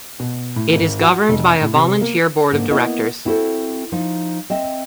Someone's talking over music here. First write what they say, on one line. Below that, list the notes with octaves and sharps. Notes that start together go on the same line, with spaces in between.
It is governed by a volunteer board of directors.
B2
A2
G#1
F#4
F1
A2
C3
A#3
G#2 D3 A#3
A#3 B3 E4 D#5
C4 E4 F#4 G4 A4 C5
F3 D#4
C4 D#5 E5 G5